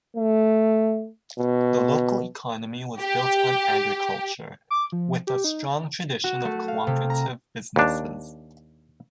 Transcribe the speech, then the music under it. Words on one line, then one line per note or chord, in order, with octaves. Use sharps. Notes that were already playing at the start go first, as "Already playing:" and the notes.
The local economy was built on agriculture, with a strong tradition of cooperative businesses.
A3
B2
G4
D6
F3
G4
D#4
F#4
A3
F5
C3
A#5
D#2 D4